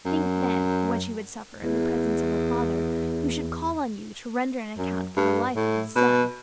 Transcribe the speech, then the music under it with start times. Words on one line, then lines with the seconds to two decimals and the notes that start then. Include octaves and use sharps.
Think, then, what you would suffer in the presence of a father who should call on you to render an account for the life of his son!
0.05 F#2
1.63 E2
4.78 F#2
5.17 G2
5.56 A2
5.95 B2